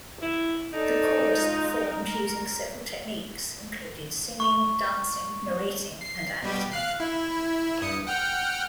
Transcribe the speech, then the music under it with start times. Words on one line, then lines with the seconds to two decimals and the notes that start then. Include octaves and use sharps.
The chorus performed using several techniques, including singing, dancing, narrating, and acting.
0.22 E4
0.73 D#4 A4 D5
1.37 G#3 F4
1.73 A#4
4.40 C#6
6.01 C7
6.42 B2 G3 G4
6.72 F5 F#6 C7
7.00 E4
7.81 G2 D#6 C#7
8.07 F#5 G5 F6